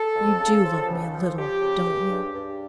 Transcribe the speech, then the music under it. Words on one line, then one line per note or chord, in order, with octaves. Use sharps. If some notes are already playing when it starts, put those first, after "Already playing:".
You do love me a little, don't you?
Already playing: A4
F2
C#3
F3
C#2
F3
F3 G4
C#3
C#2
G2
G2